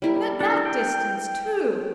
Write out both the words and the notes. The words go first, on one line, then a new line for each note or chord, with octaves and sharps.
And at that distance, too!
G3 E4 A#4
D4 A4
G5